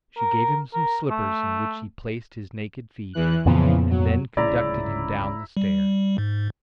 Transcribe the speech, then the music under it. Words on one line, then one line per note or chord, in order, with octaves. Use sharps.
She gave him some slippers, in which he placed his naked feet, and then conducted him down the stairs.
A#4
A#4
A3
E2 E3 F#6
F2 A#2 C#3 E3 F3 B3
F#3
D1 C#2 C#3 E4 D5 A#5
G3
G#2